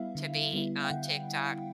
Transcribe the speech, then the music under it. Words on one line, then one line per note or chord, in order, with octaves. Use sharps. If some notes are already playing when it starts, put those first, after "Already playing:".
to be on TikTok.
Already playing: G3 B3 E4 E5 F5
D3
G3 B3 E4
G5
D3 F#5